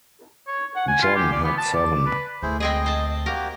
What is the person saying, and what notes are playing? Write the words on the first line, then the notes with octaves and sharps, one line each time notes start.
John had seven.
C#5
F#5
G#5
F4
G4
D5
B3
A5
D5
B4
D2 E4 G#4 C5
G#3 C4 G#4 D#5
C5 A5
A#3 F#4 G4 A#4